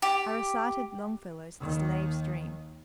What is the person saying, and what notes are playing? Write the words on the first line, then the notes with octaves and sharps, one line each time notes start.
I recited Longfellow's "The Slave's Dream".
G4
D#2 D#3